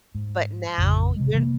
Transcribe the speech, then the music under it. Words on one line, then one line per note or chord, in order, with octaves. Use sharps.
But now you're
G#2
A1 F2 C#3
C3 G#3
C3 E3 G3 A#3